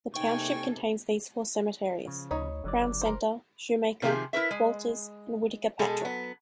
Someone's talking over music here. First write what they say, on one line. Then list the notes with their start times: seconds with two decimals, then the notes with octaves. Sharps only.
The township contains these four cemeteries: Crown Center, Shumaker, Walters and Whitaker-Patrick.
0.14 C3 A#3 D#4 A4 G5 G#5 C#6
2.05 C#3 F3
2.31 D2 D#4 C#5 B5
2.64 F#1 D3 F#3 D5
3.02 A#4 C5
4.02 C3 D#3 F3 G4 G#4
4.33 E4 A#4 B4 E5
4.51 G#3
5.79 B2 G#3 G#4 A4
6.01 F#3 B3